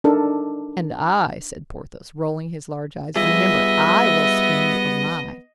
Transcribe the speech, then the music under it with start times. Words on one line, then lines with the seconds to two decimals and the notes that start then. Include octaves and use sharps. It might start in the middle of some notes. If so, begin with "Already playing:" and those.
"And I," said Porthos, rolling his large eyes, "remember, I will skin you alive."
0.04 D4 D#4 A4 A#4
3.16 G3 B3 F4 G#4 D#5 E5